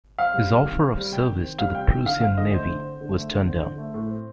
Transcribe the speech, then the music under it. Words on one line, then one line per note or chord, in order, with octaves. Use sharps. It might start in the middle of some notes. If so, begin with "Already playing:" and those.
His offer of service to the Prussian Navy was turned down.
C4 F5
G3
C3
D#3
C4
G3
C3 G5
D#3
C4
G3 F5
C3 G5
D#3 G5
D3 F5
C4 F5
D3 D#5
A3 C5
D3
C4
D3
A3
D3
C4
D3
A3
A2
C4